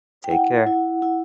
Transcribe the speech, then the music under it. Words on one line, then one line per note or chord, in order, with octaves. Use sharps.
Take care.
G5
E4 F#5
E4
E4